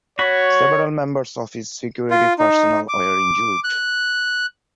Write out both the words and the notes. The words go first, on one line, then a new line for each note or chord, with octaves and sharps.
Several members of his security personnel were injured.
F#4 C#5 B5
F4
D#4
D6
F#6